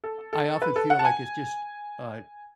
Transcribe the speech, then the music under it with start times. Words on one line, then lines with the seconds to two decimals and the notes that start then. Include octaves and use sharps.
I often feel like it's just, uh,
0.04 A4
0.33 A4
0.62 B4
0.76 A4
0.90 F#5
0.99 A5
1.05 G#5